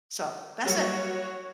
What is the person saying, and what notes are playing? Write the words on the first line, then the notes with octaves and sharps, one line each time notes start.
So, that's it.
F#3 G3 A#3 F#4 C#5